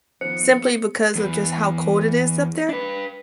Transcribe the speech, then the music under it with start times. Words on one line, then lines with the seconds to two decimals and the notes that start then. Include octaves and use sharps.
simply because of just how cold it is up there,
0.21 D#3 F3 B3 C5 C#7
1.16 E2 E3
2.69 D4 B4